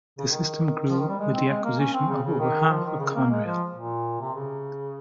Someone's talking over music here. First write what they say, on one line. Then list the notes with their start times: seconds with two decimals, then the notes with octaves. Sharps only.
The system grew with the acquisition of over half of Conrail.
0.18 C#3
0.28 D#3
0.89 F3
0.98 D#3
1.08 G3
1.19 G#3
1.34 C4
1.49 G#3
1.64 A#3
1.79 C#4
1.94 C4
2.09 C#3
2.24 C#3
2.39 D#3
2.69 F3
2.84 D#3
3.00 C#3
3.15 A#3
3.29 G#3
3.45 F3
3.75 A#2
4.20 C3
4.35 C#3